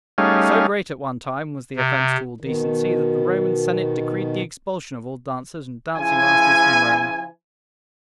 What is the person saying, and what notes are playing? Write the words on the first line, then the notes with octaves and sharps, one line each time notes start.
So great at one time was the offence to all decency, that the Roman Senate decreed the expulsion of all dancers and dancing-masters from Rome.
G3 A3 C#4 D#4 G#4 F5
C3
B2 D#3
C#3 F3 E4 G#5